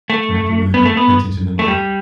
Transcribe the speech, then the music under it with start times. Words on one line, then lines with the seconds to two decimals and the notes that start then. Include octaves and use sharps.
so I have to really, like, pay attention to, like,
0.10 A3
0.74 B3
0.85 A3
0.97 B3
1.59 A3
1.68 G3